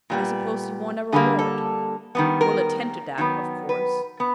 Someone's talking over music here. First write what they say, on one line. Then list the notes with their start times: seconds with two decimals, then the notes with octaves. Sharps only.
I suppose you want a reward--we'll attend to that, of course.
0.10 A#2 G3 B3
1.12 D3 G3 A#3 G#4
1.39 A4
2.15 D#3 G3 B3
2.41 A#4
3.18 D#3 F#3 B3
3.69 B4
4.20 B3